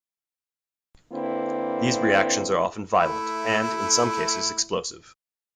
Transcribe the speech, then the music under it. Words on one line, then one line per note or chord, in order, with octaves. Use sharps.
These reactions are often violent, and in some cases explosive.
D3 A#3 C4 E4 B4
A3 E4